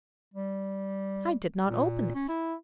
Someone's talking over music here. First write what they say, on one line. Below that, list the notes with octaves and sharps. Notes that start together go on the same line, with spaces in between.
I did not open it.
G3
A#2
C#4
E4